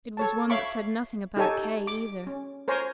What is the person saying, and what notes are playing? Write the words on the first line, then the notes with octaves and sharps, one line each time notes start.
It was one that said nothing about Kay either.
A4 C#5 A5
C#5 E5 F5 B5 C#6 D6
D#4 G4 A4 C#5 G#5 A5
D6
C#4
A#4 C5 C#5 G#5 A#5